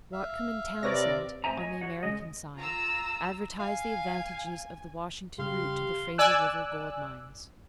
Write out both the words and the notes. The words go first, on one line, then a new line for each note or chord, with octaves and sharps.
Whatcom and Townsend, on the American side, advertised the advantages of the Washington route to the Fraser river gold-mines.
E5 F5
C3 C4 B4 C#5 D5 A#6
A2 C4 C5 E5 G#5 A#5
C#5 D#5 G#5
F#4 C#5 F#5
C#3 G#3 D#5
F4 A#5 E6
F5 G#5
C#3 G3 G4 F5 C6
D5 G#5 D6 E6 F#6